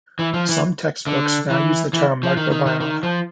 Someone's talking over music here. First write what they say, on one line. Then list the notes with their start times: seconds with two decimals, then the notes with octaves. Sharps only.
Some textbooks now use the term microbiota.
0.19 E3
0.34 F3
0.49 E3
1.07 D3
1.50 E3
1.93 E3
2.23 F3
2.37 D#3
2.51 D#3
2.66 D#3
2.81 D#3
3.03 F3